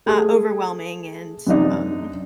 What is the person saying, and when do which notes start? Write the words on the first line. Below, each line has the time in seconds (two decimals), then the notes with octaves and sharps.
uh, overwhelming and, um,
0.06 A3 G#4
1.47 F#2 C3 D4 D#4